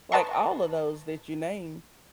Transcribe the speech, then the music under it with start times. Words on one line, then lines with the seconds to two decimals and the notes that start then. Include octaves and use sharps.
Like, all of those that you named,
0.12 B4 D#5 A5 A#5 C6 C#6